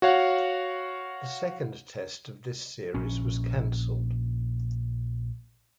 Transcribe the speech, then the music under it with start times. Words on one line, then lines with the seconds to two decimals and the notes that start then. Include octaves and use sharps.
The second test of this series was cancelled.
0.02 F#4 C#5 F5 F#5
2.94 A#1 C#4